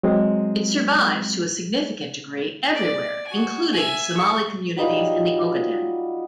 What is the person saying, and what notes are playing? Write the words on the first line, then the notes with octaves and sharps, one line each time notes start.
It survives to a significant degree everywhere, including the Somali communities in the Ogaden.
F#3 G#3 C4
D5
F#4 G#5
E5 G#5
C#6
F#3 G3 D#4 F4